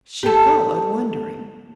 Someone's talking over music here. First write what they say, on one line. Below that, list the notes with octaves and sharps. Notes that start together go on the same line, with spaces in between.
She followed, wondering.
G4 A4